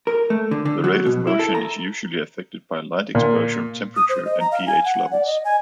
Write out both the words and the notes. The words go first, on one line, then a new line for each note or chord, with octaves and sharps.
The rate of motion is usually affected by light exposure, temperature, and pH levels.
A#4
A3
D3
D3
F#3
B2
E4
A4
A#5
A#2
D#6
C5
D#5
A#5
F5
G#5
F#5
D5
D#5
G#5